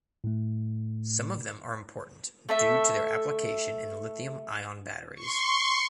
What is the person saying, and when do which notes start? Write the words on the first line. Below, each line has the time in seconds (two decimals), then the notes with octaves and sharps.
Some of them are important due to their application in lithium ion batteries.
0.24 A2 A3
2.49 A3 A4 E5
5.15 C6 C#6